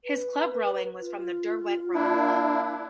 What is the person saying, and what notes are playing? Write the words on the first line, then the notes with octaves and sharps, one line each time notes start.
His club rowing was from the Derwent Rowing Club.
B4
F4
A#3 D4 E4